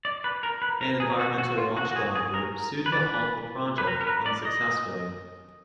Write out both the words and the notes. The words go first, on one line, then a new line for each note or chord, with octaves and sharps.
An environmental watchdog group sued to halt the project, unsuccessfully.
D5
B4
A#4
B4
A#4
G#4
F#4
F#4
F4
F#4
F#4
G#4
G#4
A#4
B4
D5
B4
B4
A#4
A#4
B4
D5
D#5